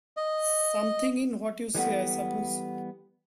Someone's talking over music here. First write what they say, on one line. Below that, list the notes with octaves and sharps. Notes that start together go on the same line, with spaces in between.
Something in what you say, I suppose.
D#5
E3 G3 B3 A4 F#5